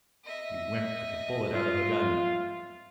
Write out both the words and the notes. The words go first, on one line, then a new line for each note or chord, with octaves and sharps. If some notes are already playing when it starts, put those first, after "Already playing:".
He went like a bullet out of a gun.
D#5 E5
F4